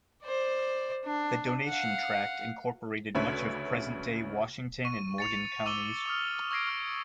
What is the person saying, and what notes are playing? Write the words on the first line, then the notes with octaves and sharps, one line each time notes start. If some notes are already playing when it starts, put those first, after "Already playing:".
The Donation Tract incorporated much of present-day Washington and Morgan counties.
C5 D5
D4
F5 F#5
D2 C#3 D4 B4 C#5 E5
C#6 D#7
A6 C#7 F7
D6 E6 D#7 F7 G7
D6 D#6 F6
C#6 E6 G#6 A#6 C7 D7
C#6 F6